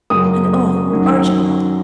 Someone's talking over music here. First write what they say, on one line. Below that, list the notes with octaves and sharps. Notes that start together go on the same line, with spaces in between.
And, oh, Archibald!
F#2 C#3 F#3 D#6
F#2 D#3 F#3